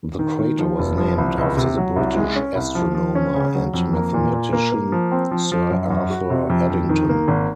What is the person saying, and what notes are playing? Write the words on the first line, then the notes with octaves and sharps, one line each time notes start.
The crater was named after the British astronomer and mathematician Sir Arthur Eddington.
D#3
D#3
F3
F1
F3
C2
C#2
C3
F#3
C2
G#3
C#4
C2
F3
F3
C#4
C#3
F#3
F2
A#3
A#2
A#2
A#3
A#3
F3
C4
F3
F3
F#2
F#2
F#4
C3
F2
F2
D#3
A#3
G#1